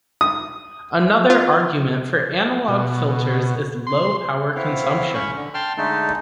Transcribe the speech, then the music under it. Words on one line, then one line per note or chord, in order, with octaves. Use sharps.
Another argument for analog filters is low power consumption.
D#6
F4
B2
C6
B3 C4 E4 C#5 F5
C#4 B5 C#6
D3
G5 A5 C6 F6
D3 G#3 A3 D#4 A4